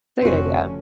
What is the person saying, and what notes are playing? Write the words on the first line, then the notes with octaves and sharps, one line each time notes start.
a good idea.
F1 D3 C4 C#4 F#4